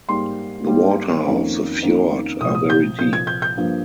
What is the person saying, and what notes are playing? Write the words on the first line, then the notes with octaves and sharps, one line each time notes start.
The waters of the fjord are very deep.
G#2 G3 A#3 C6
G#2 G3 A#3
F2 D#3 A#3 C#4
F2 D#3 A#3 C#4
C2 A#2 F3 D#6
D#6
G6
C2 A#2 F3 G6
G#6
G6
G6
G2 F3 A#3